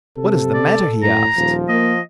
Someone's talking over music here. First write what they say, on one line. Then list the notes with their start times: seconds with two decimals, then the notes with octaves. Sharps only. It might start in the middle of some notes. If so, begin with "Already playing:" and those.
"What is the matter?" he asked.
0.17 C3 A4
0.54 D5
1.03 A2 A#5
1.37 D#1 F3
1.69 A#3 D#5